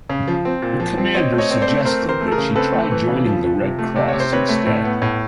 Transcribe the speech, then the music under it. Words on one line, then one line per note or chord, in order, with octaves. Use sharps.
The commander suggested that she try joining the Red Cross instead.
C#3
F3
C4
A#2
F3
C4
C4 C#5 D#5
A3
C#5 D#5
C4
C#5
C5 D5
A3
C4 A#4 C5
E3
A#4 C5
A3
A4
G#4 A#4
C#3
C4 A4 B4
A3
E3
C#3
F3
F3
C3
A3
C3 D5
C#5
C3
C5
C4 B4 C#5
A3
A2
B3
A2